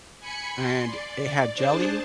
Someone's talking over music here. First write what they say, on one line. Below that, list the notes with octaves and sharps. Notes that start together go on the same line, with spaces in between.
and it had jelly
G#5 B5 C#7
C6
D5
D4 G#4 C5 A5